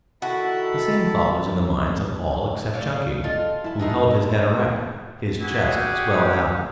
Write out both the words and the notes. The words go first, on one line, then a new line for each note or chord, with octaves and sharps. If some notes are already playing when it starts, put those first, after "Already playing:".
The same thought was in the minds of all except Chunky, who held his head erect, his chest swelled out.
D#3 E4 F#4 A4 A5 B5
A3 D5 F5
F4 A4 D#5
E4 A5
G#3 A3 D#4
C3
G3 E4 F#4 G#4
G4